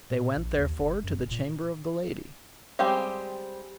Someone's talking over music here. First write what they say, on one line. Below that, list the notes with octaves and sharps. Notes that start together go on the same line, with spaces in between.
They went therefore to the chamber of the lady.
A#2
A#1
D#2
F#1
F#2
E1
A#2
G3 G#3 C4 G4 F5